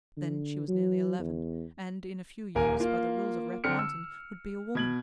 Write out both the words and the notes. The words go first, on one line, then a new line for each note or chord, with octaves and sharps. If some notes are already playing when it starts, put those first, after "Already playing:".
Then she was nearly eleven, and in a few years, by the rules of Red Mountain, would be a woman.
D3
F#3
E2
D#1 A#3 A#4 G#5
A#3 F4
D3 C4 F6 C#7
E6
B2 G#6 F#7